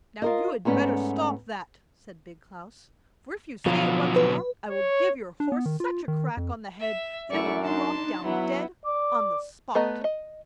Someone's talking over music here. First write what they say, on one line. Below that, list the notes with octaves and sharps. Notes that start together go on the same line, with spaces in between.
'Now you had better stop that,' said Big Klaus, 'for if you say it once more I will give your horse such a crack on the head that it will drop down dead on the spot!'
F4 A#4 D#5
G#2 A3 B3 C#4 D5
B2 D3 F3 F#3
B4
C#5
D4
B3
D#3
F4
D#3
F2
E5
F#2 A3 E4 D5 C#6
D4 D#4 A5 C6
F#3 B3 E4
D5 D6
A3 B3 D#5 A#5
D#5